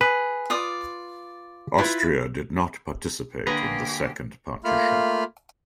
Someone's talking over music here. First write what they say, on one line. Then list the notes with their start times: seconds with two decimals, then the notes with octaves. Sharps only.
Austria did not participate in the Second Partition.
0.01 G#4 B4
0.50 F4 D5 D#6
1.78 E4 F4 B4
3.47 D3 A#3 G4 G#4 B4 G#5 A#5
4.64 A3 A#3 F4 B5 F6